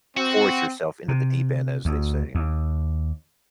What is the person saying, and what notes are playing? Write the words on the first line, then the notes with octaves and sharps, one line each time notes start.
force yourself into the deep end, as they say.
C4 F#4
C3
D2
D#2